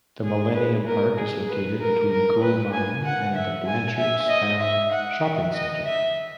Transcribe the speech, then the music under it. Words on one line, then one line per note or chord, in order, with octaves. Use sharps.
The Millenium Park is located in between Coolmine and the Blanchardstown Shopping Centre.
G#4
B4
A#4
G#4
B4
A#4
A#4
B4
G#5
F#5
E5
G#5
E5
D#5
E5
F#5
E5
D#5
E5